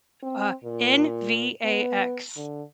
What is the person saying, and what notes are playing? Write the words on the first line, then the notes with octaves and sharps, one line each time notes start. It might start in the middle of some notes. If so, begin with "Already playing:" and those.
Uh, N-V-A-X.
C4
A#2
B3
D3